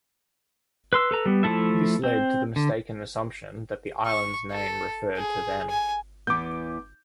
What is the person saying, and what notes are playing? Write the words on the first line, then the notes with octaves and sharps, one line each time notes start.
This led to the mistaken assumption that the island's name referred to them.
B4 C6 E6
A4 B4 A#5
G3 B3
F3 A3 E4 A4 E5
C4
D3
C#6
A4
G#4
G#5
E2 E3 B3 D6 G6